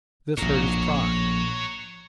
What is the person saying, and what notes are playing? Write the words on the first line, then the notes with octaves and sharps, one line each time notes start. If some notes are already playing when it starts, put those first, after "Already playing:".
This hurt his pride.
A#1 A2 C#5 A#5